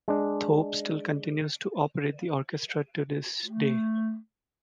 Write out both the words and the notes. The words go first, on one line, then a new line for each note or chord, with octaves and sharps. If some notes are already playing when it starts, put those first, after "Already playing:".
Thorpe still continues to operate the orchestra to this day.
G#3 D4
A3